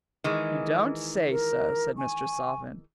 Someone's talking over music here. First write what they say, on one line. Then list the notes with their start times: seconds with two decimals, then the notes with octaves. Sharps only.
"You don't say so," said Mr. Salvin.
0.24 D#3 E3 G#3
1.29 A#4
1.97 G#5 C#6